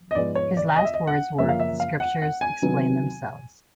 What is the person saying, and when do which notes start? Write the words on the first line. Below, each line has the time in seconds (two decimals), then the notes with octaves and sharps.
His last words were The Scriptures explain themselves.
0.11 D#5
0.15 G#2 F3 G#3 B3 D5
0.35 C#5
0.57 D5
0.77 D#5
0.85 E5
0.94 D#5
1.07 F#5
1.38 F#2 C#3 F3 A#3 C#4 E5
1.49 F5
1.60 E5
1.80 F5
2.00 F#5
2.22 F#5
2.41 G#5
2.62 C3 D#3 F#3 B3